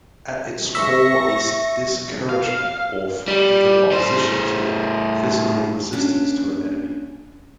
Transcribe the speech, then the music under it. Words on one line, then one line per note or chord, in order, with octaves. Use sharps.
At its core is discouragement of, even opposition to, physical resistance to an enemy.
E5 C#6 A#6
F5
G3
A2 C5
A#3 C#4 D4